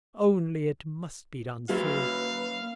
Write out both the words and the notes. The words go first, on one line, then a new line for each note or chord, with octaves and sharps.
Only it must be done soon.
F#3 A#3 C#4 B4 E5 F5